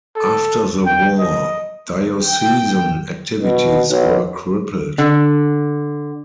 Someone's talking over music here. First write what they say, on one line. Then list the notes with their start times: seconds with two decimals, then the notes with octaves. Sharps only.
After the war diocesan activities were crippled.
0.16 A4
0.86 G5
1.19 D#5
2.25 G5
3.42 B2
3.89 B1
4.98 D3